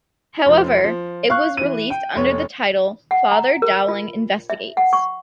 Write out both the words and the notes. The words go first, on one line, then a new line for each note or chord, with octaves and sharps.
However, it was released under the title "Father Dowling Investigates".
F1 F3
F3
F5 C#6 F#6
E3 D#7
G5
F1 C#5
F#5
A#5
A#4
F4
E5
F#5
C#6